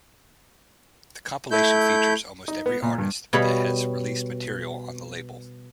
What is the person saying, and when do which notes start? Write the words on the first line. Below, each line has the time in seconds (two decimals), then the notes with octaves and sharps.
The compilation features almost every artist that has released material on the label.
1.51 A3 E4 G6
2.48 D#4
2.66 B3
2.82 A#2
2.98 G2
3.33 B2 G3 C#5 F5 B5